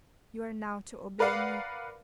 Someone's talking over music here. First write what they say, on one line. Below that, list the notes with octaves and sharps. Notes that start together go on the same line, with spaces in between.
You are now to obey me.'
A#4 B4 D5 F5 F#5